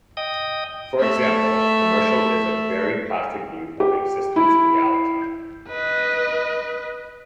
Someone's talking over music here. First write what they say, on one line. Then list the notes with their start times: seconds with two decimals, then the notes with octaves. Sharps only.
For example, a commercial is a very plastic view of existence and reality.
0.17 D#5 G5 D#6
0.99 A3 E5
3.80 G4
4.36 E4
5.69 B4 D#5